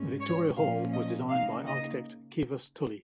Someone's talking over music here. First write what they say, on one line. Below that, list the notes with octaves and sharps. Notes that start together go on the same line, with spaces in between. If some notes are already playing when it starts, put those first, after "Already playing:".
Victoria Hall was designed by architect Kivas Tully.
Already playing: G#2 G#3 C#4
C#5
A#2 F3 A#3 C#4 F5
D#5
C#3 A#3 D#4 F5
D#5